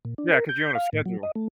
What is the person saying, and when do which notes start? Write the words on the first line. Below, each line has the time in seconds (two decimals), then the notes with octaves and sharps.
Yeah, 'cause you're on a schedule.
0.05 A#2
0.18 D4
0.33 A#4
0.49 G6
0.75 F5
0.93 A2
1.06 F#3
1.23 D#5
1.35 A3